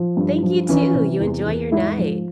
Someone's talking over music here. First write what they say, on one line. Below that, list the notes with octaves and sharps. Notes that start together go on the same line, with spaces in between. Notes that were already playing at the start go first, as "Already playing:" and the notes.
Thank you, too, you enjoy your night.
Already playing: F3
G2
F3
E3 C#4
C3
E2
E2
G#2 E4
F3